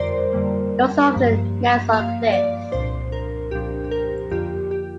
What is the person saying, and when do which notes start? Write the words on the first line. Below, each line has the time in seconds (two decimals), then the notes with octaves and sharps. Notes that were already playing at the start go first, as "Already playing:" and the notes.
It also often nests on cliffs.
Already playing: F2 D3 G3 A#4 C5 D5
0.33 F2 D3 G3 A#3
1.13 G2 F3 A#3
1.93 G2 F3 A#3 F5
2.32 D5
2.72 C2 A#2 F3 D4 C5
3.12 A#4
3.51 C2 A#2 F3 D4 G4
3.84 G4
3.91 A#4
4.31 F2 D3 F3 A#3 F4 G4
4.71 G4